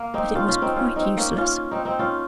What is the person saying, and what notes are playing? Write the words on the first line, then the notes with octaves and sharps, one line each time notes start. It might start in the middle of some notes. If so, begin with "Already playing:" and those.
But it was quite useless.
Already playing: A#3
C4 D#4
C#4 F4
C#4 F4
C4 D#4
C#4 F4
C4 D#4
A#3 C#4
C#4 F4
C4 D#4
C4 D#4
C#4 F4